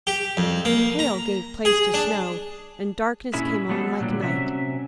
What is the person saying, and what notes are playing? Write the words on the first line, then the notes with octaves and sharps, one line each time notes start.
The hail gave place to snow, and darkness came on like night.
G4
F2
A#3
A#5
G#4
D4
A#2 C#4 E4 G#4 E5
F#3 G#3 A3 B3 A4
A#2 D3 F#3 G3
C3 F#3 C#4 E5